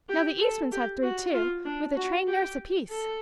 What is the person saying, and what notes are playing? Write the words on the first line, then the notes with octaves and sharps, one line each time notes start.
"Now the Eastmans have three, too, with a trained nurse apiece."
G4
A4
G4
F#4
F4
D4
F#4
G4
A4